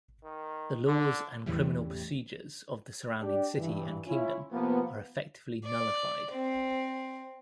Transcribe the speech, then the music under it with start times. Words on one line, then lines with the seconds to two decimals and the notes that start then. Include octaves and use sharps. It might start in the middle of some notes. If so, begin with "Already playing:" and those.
The laws and criminal procedures of the surrounding city and kingdom are effectively nullified.
0.24 D#3
0.87 D3
1.46 E2 A2 C#3 E3 G3
3.20 D4 G4 D5
3.57 G2 E3
4.06 C#4 E4 F4
4.51 C3 F3 A#3 B3
5.64 D5
6.31 C4